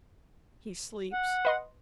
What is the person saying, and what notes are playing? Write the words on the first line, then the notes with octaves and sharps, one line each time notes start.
He sleeps.
F#5
B4 D#5 C6